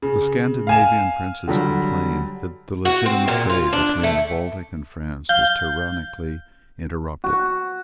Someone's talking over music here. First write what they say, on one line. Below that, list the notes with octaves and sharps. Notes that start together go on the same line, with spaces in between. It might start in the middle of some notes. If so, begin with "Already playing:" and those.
The Scandinavian princes complained that the legitimate trade between the Baltic and France was tyrannically interrupted.
C#3
F5 G#5 E7
D3 F#3 G3
F#4
C4
A#2
F4
D4
A3
F5 G6
F#4